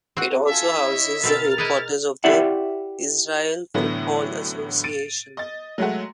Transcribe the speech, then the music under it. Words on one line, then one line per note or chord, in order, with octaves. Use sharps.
It also houses the headquarters of the Israel Football Association.
C4 F#4
F4 A4 E5 G#5
E4 C#5 D#5
B2 C4 A4 A#4 F6 A6
E4 G#4 B4 D#5
E4 G4 D5 E5 F#5
A2 D3 E3 F#3 A3 B3
A6 D7 D#7
D#5 A6
F#3 G#3 A3 F#4